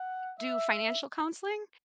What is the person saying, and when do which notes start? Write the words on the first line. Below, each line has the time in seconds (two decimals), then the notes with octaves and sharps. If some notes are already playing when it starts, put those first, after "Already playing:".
do financial counseling,
Already playing: F#5
0.39 E5